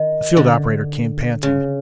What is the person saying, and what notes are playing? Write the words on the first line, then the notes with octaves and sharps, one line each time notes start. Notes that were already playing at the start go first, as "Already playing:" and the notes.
The field operator came panting.
Already playing: D#3
D3
C#3